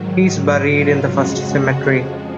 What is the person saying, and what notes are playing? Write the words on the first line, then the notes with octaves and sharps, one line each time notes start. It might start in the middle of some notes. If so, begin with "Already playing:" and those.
He is buried in the First Cemetery.
Already playing: G#2 D#3 F#3
G#2 F#3
F4
F2 C#3 G#3 F#4
F2 F3 G#3